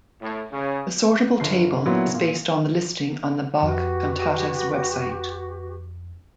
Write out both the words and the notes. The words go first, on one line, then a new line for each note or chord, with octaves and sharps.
The sortable table is based on the listing on the Bach Cantatas website.
A2
C#3
G1 C7
A#2 F#3 B3 E4
A#2
F2 F#4 G4 B4